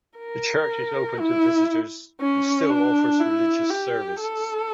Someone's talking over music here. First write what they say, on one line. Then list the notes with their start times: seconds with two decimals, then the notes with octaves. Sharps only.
The church is open to visitors and still offers religious services.
0.19 A#4
1.20 E4
2.21 C#4
2.70 D4
3.20 E4
3.70 G4
4.21 A4